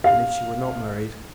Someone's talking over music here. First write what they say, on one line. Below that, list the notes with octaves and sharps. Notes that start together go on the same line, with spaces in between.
"And if she were not married?"
F5